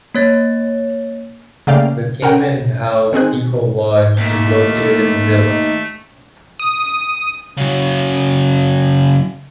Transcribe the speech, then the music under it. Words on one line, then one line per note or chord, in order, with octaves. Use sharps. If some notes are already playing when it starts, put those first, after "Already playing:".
The Caiman House Eco Lodge is located in the village.
A#3 C#5 A6
C#3 A3 A#3 D5 F5 G5
C#4 A#4 F#5 G5
D#3 C4 G#4 F#6
D#2 A3
D#6
C#3 F#3